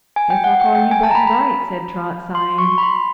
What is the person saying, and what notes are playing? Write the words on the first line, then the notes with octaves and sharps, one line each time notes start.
"Guess I'll call you Button-Bright," said Trot, sighing.
G#5
G5
F#5
G5
G5
G#5
A5
A#5
B5
B5
C6
C#6
B5
C6